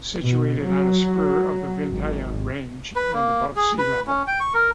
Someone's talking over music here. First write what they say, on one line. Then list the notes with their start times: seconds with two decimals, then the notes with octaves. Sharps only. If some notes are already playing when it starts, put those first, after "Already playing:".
Situated on a spur of the Vindhya Range and above sea-level.
0.22 B2
0.61 F#3
1.89 G#1
2.96 B4
3.14 A#3
3.56 G#4
3.78 B4
4.07 C#4
4.27 G5
4.40 C#6
4.54 A#4